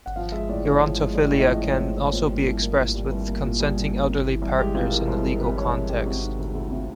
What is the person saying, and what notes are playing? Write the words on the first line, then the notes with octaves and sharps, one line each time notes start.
Gerontophilia can also be expressed with consenting elderly partners in a legal context.
F#5
F3 F5
G#3 E5
A2 D5
A2 C#5
F3
G#3
A2 D5
A2
D#5
F3
G#3 C#5
A2 C5
A2 C#5
A#2 C5
G3
C2
A#3
A#2
G3
C2 B4
A#3 A#4
A#2 A#4
G3 G#4
C2
A#3
C3
E3
C2
G#3 G4
C3 F4
E3 A#4
C2 C5
G#3 A#4
C3 B4
E3 C#5
C2
G#3 G4
C3 F#4
D#3
D2
D2 E4
C3 F4